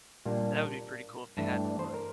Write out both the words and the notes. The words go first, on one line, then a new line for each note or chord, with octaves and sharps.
That would be pretty cool if they had more.
A#2 G3 A#3 D4
G2 E3 A3 D4 A5
G5
D5
C5
A#4